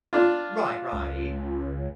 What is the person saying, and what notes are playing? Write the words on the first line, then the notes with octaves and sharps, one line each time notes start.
Right, right.
D4 F4
C#2